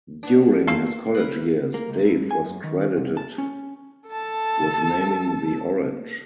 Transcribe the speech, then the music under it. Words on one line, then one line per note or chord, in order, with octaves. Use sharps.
During his college years, Dave was credited with naming the "orange".
B3 D4
A#3 F4 A4 C7
E4 A#4 B4
A#3
C#2
G2
G#5
F#2
D#3
C2
A5
C#4
A4 A5